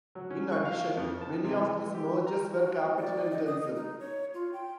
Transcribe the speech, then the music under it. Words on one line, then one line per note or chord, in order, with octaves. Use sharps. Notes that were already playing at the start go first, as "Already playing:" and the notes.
In addition, many of these mergers were capital-intensive.
F#3
C#4
C#6
F5
F2
A5
C3
E3
G4
A#5
F#4
D5
D#5
D#6
D#5
D#4
C#5
F4
G5